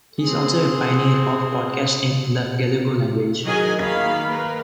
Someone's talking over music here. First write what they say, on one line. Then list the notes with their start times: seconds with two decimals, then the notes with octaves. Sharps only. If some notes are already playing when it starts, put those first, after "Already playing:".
He is also a pioneer of podcasting in the Galego language.
0.21 C4 G#4
3.44 D#3 F#3 G#4 A#4 D#5 G#5
3.81 D#3 A#3 F5 B5
4.28 A#3 A#4 B4